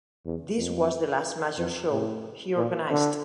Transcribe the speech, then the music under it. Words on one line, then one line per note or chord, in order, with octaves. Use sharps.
This was the last major show he organised.
E2
F2
F2
A2
A#2
D3